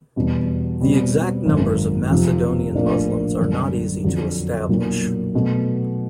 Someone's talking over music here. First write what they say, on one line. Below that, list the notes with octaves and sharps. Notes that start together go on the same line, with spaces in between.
The exact numbers of Macedonian Muslims are not easy to establish.
E2 B2 G3
B2 G3 C4
G#1 F#2 D#3
F1 F2 C3 F3
A#1 A2 F3 A#3 D4
F#2 D3 G3
F2 D3 F#3
B1 A#2 F#3 A#3
B2 F#3 A3